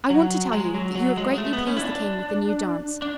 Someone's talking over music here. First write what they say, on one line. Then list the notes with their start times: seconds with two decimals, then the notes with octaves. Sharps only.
I want to tell you that you have greatly pleased the king with the new dance.
0.10 F#3
0.53 G#3
0.74 F#3
0.95 F#3
1.17 G#3
1.38 A3
1.53 B3
1.67 C#4
1.76 E4
1.81 D4
3.02 D4